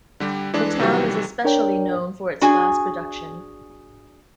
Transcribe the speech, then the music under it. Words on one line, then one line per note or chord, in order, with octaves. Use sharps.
The town is especially known for its glass production.
D3 G3 G4
E3 G#3 D4 B4
C3 D#3 E3 F#3 G3 F#4
D4 A#4 C#5 D5 G5
D4 F#4 G#4 G#5